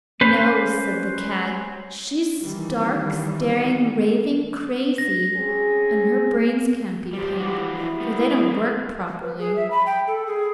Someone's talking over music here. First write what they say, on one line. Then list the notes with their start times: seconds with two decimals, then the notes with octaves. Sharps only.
"No," said the cat; "she's stark, staring, raving crazy, and her brains can't be pink, for they don't work properly."
0.21 C#4 B4 C5
2.41 D#3 E3 G3
4.98 A#6
5.34 C4 C#4 G#4
7.13 F3 G3 G4
7.40 E3 F3 F#4
7.78 E4
8.00 G3 B3
9.22 B4
9.39 G#4
9.56 E5
9.71 B5
9.86 G5
10.07 A4
10.27 G#4